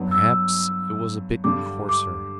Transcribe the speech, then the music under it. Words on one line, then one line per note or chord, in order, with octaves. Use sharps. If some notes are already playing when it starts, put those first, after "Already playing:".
Perhaps it was a bit coarser.
Already playing: G2 F#3 B3
E6
G2 D3 G3 D6
D6